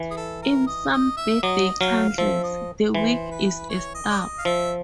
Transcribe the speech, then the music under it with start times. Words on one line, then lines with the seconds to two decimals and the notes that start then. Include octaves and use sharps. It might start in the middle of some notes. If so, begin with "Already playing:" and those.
In some birthday candles, the wick is a stub.
Already playing: E3
0.11 G#4
0.17 A4
0.42 A#4
0.67 D#5
0.93 D#5
1.17 E5
1.43 F#3 D#5
1.81 F#3 F5
2.18 F3 E5
2.44 D#5
2.95 E3 C5
3.31 B4
3.70 C#5
3.95 D#5
4.10 D5
4.20 D#5
4.38 F5
4.45 F3 E5